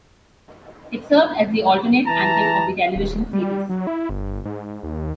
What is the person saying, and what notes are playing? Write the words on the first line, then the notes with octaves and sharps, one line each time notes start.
It served as the alternate anthem of the television series.
E3 A5 A#5
D#1
G3
F#3
E4
G1
G#2
D#2